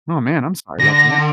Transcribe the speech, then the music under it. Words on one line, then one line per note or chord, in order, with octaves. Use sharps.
Aw, man, I'm sorry 'bout that.
D3 A#6